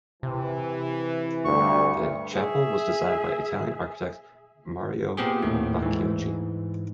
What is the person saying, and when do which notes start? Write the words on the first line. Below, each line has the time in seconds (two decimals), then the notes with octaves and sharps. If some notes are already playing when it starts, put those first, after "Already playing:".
The chapel was designed by Italian architect Mario Bacciocchi.
0.23 C3 E3
1.45 D2 G2 C#6
2.34 G#4 E5
5.17 A#2 B3 C4 G4 G#4
5.42 D#2 A2 D#3 A3
5.82 G#2 E3